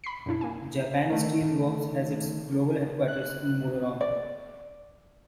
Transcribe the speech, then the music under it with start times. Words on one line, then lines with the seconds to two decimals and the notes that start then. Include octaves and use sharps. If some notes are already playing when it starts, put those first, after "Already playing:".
Japan Steel Works has its global headquarters in Muroran.
0.04 B5 B6 C7
0.26 F#2 B2 D4 E4
0.41 A#3 G#5
1.09 D#3 A3
3.08 F#6
4.01 D5